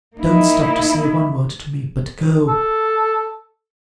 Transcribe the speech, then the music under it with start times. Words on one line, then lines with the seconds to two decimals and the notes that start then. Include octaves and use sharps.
Don't stop to say one word to me, but go.
0.16 A#3 D#4 E4
2.48 A4